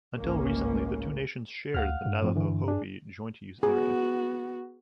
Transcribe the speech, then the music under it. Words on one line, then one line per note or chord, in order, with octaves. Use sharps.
Until recently, the two nations shared the Navajo-Hopi Joint Use Area.
G#1 C#2 A2 A#3 C#4
D2 F5 F#5 F6
G2
A2 F3 C4
D3 E3
D4 G#4
B3 F#4 G#4